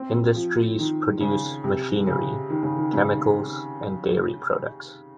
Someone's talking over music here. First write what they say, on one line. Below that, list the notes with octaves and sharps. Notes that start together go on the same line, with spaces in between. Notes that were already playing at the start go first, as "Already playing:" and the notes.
Industries produce machinery, chemicals and dairy products.
Already playing: C4
F3
D#3
C#3
C3
C#3
D#3
C#3
D#3
C#3